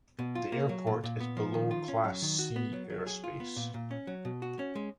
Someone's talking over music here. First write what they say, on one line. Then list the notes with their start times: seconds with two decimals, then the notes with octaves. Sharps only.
The airport is below class C airspace.
0.19 B2
0.35 F4
0.52 A#3
0.69 F#3
0.87 A#2
1.04 A#2
1.20 B3
1.37 F3
1.54 D#3
1.71 F4
1.88 C#4
2.04 F#3
2.22 D#3
2.39 F#4
2.56 B3
2.73 F#3
2.90 F#3
3.07 G#4
3.24 F4
3.40 B3
3.56 A#2
3.74 A#2
3.91 C#4
4.07 F#3
4.25 B2
4.42 F#4
4.59 C#4
4.75 G#3